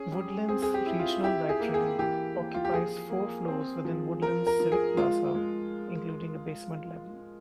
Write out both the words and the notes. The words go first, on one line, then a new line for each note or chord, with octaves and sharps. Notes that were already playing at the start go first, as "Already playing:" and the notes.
Woodlands Regional Library occupies four floors within Woodlands Civic Plaza including a basement level.
Already playing: C#4 G#4
G3
C4 G#4
G#4
G4
E4
F4
E4 G4
G#4
A#3
G#4
E3 G4
A#3
F4
G4
F3 G#4
A#3
C4
F3
F3 A#4
A#4
F3
G#4
G#3 F4
G#3